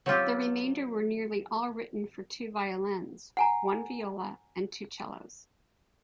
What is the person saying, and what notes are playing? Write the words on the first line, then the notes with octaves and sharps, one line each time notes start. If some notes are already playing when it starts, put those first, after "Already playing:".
The remainder were nearly all written for two violins, one viola, and two cellos.
F#3 C4 F4 G4
F#5 G#5 A#5